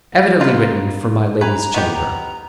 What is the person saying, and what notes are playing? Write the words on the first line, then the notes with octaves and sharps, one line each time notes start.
Evidently written for my lady's chamber.
D#4 F4 B4
B4 G#5 A#5
B3 D#4 G4